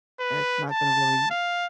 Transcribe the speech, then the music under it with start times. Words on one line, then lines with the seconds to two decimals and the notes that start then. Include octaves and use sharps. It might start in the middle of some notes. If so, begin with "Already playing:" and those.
that's not gonna really m
0.20 B4
0.72 A5
1.30 F5